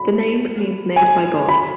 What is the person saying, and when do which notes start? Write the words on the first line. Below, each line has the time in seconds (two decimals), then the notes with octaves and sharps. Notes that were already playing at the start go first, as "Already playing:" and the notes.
The name means made by God.
Already playing: B5
0.96 G#5
1.48 B5